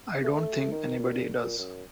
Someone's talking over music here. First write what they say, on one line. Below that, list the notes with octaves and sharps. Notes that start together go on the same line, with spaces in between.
I don't think anybody does.
A3
D#3
A#2
A#2
F#2